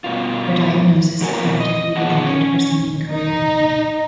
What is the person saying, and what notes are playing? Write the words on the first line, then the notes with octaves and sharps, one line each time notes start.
Her diagnosis effectively ended her singing career.
G2 B2 F4
G#2 C3 F#4 A#4 G#5
F3 B3 C4 E4 F4 A#4
D#5
F3 B3 F4 G#4 F#5 A5
C#4
D#4